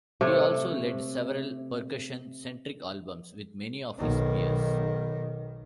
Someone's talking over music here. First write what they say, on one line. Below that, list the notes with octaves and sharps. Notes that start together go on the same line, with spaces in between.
He also led several percussion-centric albums with many of his peers.
C3 A3 C#5
B1 D#3